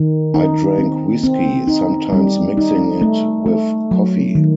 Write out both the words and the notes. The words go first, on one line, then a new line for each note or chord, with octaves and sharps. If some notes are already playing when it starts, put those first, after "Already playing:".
I drank whiskey, sometimes mixing it with coffee.
Already playing: D#3
D#4
C4
C4
D#4
G3
D#4
A3
A3
F#3
D#3